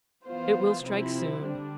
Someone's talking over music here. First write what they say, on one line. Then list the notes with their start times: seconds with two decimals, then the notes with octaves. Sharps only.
It will strike soon.
0.25 E3 B3 F4 C5
0.84 C3 F3 C4 E4
1.43 D3 G3 D4